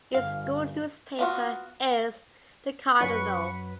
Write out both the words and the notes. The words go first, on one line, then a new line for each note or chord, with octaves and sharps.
Its school newspaper is "The Cardinal".
G1 F5
B3 F4 F#4
F#2 F#3 C#4 B4 C#6